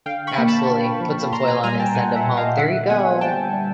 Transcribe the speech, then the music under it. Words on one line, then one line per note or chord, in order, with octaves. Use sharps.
Absolutely. Put some foil on it and send them home. There you go.
D3 F5 G5
B5 C#6
A#3
A5 B5
D3
F3
A#2 A#5 C6
G#5 A#5
G3 G#5 A#5
G5 A5
A#2 F#5 G#5
E5 F#5
A#2
D#5 F5
D3 E5 F#5
B3 F#5 G#5
G3 G5 A5
G3